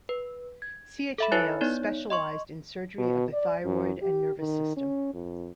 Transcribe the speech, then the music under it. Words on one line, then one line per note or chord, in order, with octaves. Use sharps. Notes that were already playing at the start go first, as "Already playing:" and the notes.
C. H. Mayo specialized in surgery of the thyroid and nervous system.
B4
G#6
A4 E5 B5
E4 B4 C#5 G#5 F#6 A6
B3 D#4 C#5 D5
D#5 C6 C#6
B2
D5
F#2
G4
D#3
C#4
F2